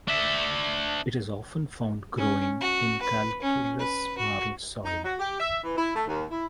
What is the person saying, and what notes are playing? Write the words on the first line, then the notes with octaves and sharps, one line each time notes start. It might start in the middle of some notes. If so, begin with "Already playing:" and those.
It is often found growing in calcareous marl soil.
D4 E5
C#4
F#4
B4
C#4
B4
F#4
D#4
F#4
G4
E5
E3
E4
A3
D#2
E4